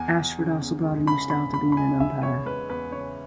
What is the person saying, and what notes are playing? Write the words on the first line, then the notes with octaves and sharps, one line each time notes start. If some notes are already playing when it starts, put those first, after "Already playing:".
Ashford also brought a new style to being an umpire.
Already playing: E2 G#5
E2
C#3
E2
G#3
C#3 B5
E2 B5
E2 B5
B5
G#3 G#5
C#3 E5
E2 C#5
G#3 B4
E2 B4
C#3 C#5